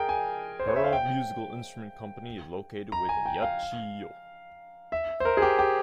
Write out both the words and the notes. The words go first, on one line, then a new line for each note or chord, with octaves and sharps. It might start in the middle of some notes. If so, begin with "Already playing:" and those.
Pearl Musical Instrument Company is located within Yachiyo.
Already playing: G#4 A#4 G5
G#5
C5
C#5
E5
F5
G5
A#5
G#5
G5
F5
E5
C5
A#4
G#4
G4
G4